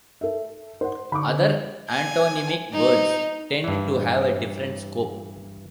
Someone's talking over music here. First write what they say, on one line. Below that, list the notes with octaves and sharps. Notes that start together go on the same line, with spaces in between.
Other antonymic words tend to have a different scope.
A4 E5
C5 F#5
D3 B5 C#6 D6
G#5
D#4
G2 E3